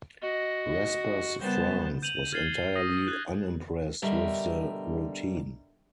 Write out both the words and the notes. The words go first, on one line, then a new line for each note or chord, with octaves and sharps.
Respers France was entirely unimpressed with the routine.
F#4 D#5
C#3 G3 B3 A#4 C5 A5
G6 D#7 F7 F#7
F6 G#6 A6 C7 F#7 G7
D#6 A#6 D#7
F#6 G#6
B2 D3 G3 A#4 E5